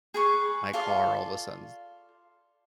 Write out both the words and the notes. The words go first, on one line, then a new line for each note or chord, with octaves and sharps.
my car all of a sudden s
G#4 B4 C#6
F4 A4 D5 F5